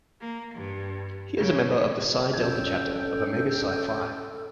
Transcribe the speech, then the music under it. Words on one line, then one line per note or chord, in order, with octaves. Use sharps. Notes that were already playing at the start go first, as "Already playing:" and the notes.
He is a member of the Psi Delta Chapter of Omega Psi Phi.
A#3
G2
C#3
F2 C#4 A4 G5 G#6